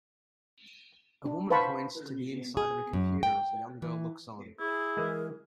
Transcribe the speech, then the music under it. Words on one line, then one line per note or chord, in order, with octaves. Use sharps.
A woman points to the inside of a computer as a young girl looks on.
D4
B4 C5 F5 A5 B5 C#6
G#4
F#2
G5
E3
E4 G#4
E3 G#3 A#4